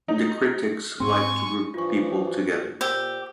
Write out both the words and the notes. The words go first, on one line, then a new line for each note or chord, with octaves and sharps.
The critics like to group people together.
D#4
G#2 C4 G#5 C6 C#6
G2 E3 F3 F4 C#6
A#2 G4 C5 E6 G7